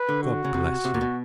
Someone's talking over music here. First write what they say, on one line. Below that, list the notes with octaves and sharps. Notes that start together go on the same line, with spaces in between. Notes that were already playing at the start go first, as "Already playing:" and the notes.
God bless you!
Already playing: B4
D3
F#4
C#3
C3
C3
A#2
B2